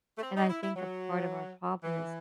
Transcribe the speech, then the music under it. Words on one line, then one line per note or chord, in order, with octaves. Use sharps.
and I think a part of our problem is
A3
C4
D#4
E4
E4
F#3
E3